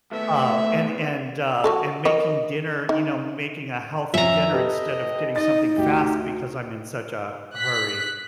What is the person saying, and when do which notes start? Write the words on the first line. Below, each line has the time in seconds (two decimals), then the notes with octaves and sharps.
uh, and and, uh, and making dinner, you know, making a healthy dinner instead of getting something fast because I'm in such a hurry.
0.12 D#2 A3 B3 E5
1.64 F#3 F#4 A4
2.05 A#4 C#5 D#5
2.89 D#4
4.14 F2 C#4 E5 A#5
4.52 G4 A4 B4 D#5
5.36 D#4 D#5 A6
5.78 D2 G4
7.55 F#6 B6